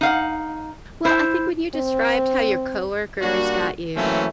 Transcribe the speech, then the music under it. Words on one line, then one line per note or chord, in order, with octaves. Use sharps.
Well, I think when you described how your coworkers got you,
D#4 F5 F#5
E4 C5
C4
G3 A#3 D4 F#4
E3 F#3 A3 A#3 C4 C#4